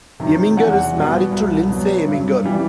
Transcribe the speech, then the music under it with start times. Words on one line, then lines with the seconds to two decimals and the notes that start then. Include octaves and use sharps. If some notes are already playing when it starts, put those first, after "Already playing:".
Eminger is married to Lindsay Eminger.
0.20 C3 D#3 F#3
0.57 E2 F#5
0.95 B2 G3
1.32 C2
1.69 B2 F#3
2.08 G2
2.45 E3 G3